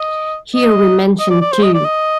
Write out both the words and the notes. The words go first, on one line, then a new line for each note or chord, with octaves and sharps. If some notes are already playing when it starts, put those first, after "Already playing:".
Here we mention two.
Already playing: D#5
D#5
D#5
D5
D5
C5
D#5
D5
D#5